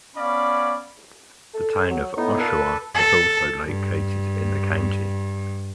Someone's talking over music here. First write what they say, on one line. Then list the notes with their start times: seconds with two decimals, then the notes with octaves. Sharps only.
The Town of Oshawa was also located in the county.
0.15 B3 C#4 D5 F5 B5
1.54 A4
1.90 F#3
2.17 A2 B3 D#4
2.40 A#2 A4 B4
2.94 A4
3.66 G2